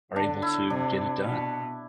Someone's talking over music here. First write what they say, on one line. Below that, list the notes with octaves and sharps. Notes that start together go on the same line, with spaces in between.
are able to get it done.
D3 D4
E4
C3 D4
B2